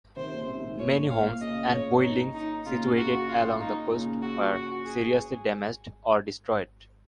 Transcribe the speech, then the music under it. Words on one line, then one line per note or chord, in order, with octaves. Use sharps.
Many homes and buildings situated along the coast were seriously damaged or destroyed.
C3 D#3 C5
A#2 C#3
G#2 C3
G#2 C3
A#2 C#5
A#2
F5
A#2
A#2 C#3 D#5
C#5
D#4
D#4
A#2 C#3 F4
F#4
F4
D#4
A#2 C#3
F#4
F#4
G#4